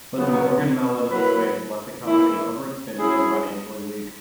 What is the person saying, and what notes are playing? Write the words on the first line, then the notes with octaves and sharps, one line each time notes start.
But the Morgan-Mellen expansion left the company overextended and financially weak.
C#3 F#3 B3
F#3 A#3 E4 B4
E3 A#3 E4
F#3 C#4 E4 G#4